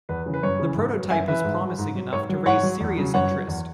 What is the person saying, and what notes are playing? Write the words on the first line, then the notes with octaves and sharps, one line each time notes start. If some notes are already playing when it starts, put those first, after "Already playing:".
The prototype was promising enough to raise serious interest.
E2 B4
C#3 E3
B4
F#2 C#5
C#3 E3
G#2
F#3
F#2 E5 G#5
E3 B4 E5
G#2
F#3
G#2
F#3
G#2 C#5
F#3
G#2 C#5 F#5
F#3
E2
C#3 F#3
F#2 C#5 F#5
F#3
E2